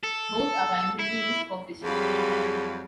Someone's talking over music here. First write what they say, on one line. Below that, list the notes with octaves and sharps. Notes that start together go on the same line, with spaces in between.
Both are primarily used for fishing.
A4
E4
F2 F#3 G3 G#4 F5 B5